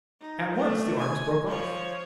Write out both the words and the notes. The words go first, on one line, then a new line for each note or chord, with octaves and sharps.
At once the arms broke off.
D#4
A3 D4
G#5
F3 C#5